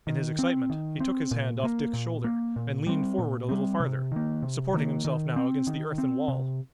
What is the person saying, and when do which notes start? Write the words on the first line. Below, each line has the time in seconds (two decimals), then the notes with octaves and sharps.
In his excitement he took his hand off Dick's shoulder and leaned forward a little farther, supporting himself now against the earthen wall.
0.07 D#3
0.39 C4
0.70 D#3
1.00 C4
1.31 A#2
1.63 A#3
1.93 A#2
2.24 A#3
2.56 A#2
2.87 G3 C4
3.18 A#2
3.49 G3 C4
3.80 C3
4.12 D#3 A#3
4.43 C3
4.74 D#3 A#3
5.05 D#3
5.36 C4
5.67 D#3
5.98 C4
6.28 C3